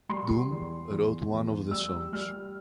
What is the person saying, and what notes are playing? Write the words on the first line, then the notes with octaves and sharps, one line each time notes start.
Doom wrote one of the songs.
G3 C6
E2
E2
E2
G3 E6
G3 F6